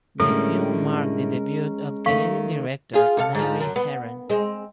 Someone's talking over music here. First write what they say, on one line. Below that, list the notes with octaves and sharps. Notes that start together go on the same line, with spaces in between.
The film marked the debut of Canadian director Mary Harron.
A2 D3 G3 G#3 C#4 A4 A#4
D#3 A3 F5 C#6
F4 G#4
C3 A4 F5
G#2 F3
F#2
B3
G#3 C4